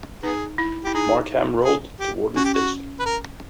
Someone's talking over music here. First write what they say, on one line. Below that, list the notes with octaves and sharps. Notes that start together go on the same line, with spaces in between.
Markham Road to Warden Station.
B3 D#4 G#4
E4
E4 G4
D#4 G#4
G#4
G4
C#4 F#4
G4
F#4
B4
A#4